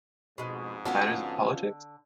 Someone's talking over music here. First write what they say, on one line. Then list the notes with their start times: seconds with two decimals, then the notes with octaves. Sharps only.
Matters of politics?
0.38 F2 G#2 B2 G#3
0.85 D3 B3 C#4 F4 F#4 A5